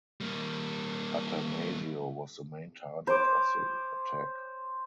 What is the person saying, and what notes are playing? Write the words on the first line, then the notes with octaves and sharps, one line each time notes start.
Attanasio was the main target of the attack.
G3 A#3
C5 C#5 D6